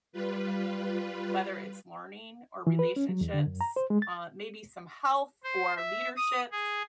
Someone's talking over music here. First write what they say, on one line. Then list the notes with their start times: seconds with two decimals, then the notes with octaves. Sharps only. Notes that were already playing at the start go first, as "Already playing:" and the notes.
whether it's learning or relationships, uh, maybe some health or leaderships,
0.12 G3 F4 B4
2.67 E3
2.79 B4
2.96 C#4
3.09 F#3
3.21 E2
3.34 D3
3.47 F#2
3.61 A#5
3.76 C5
3.90 G#3
4.02 A6
5.44 C5
5.77 E5
6.17 D#6
6.51 G#4